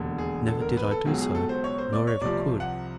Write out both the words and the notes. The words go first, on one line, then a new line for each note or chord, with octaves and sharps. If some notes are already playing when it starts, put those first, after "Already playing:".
Never did I do so, nor ever could.
Already playing: E1 D#2 D3
G#4
A4
A#4
B4
A4
C#2 B2 F#3 G#4
G#4
A4
C5
C#5
C5
D5
C#5
C2 C3 F3 D5
F#5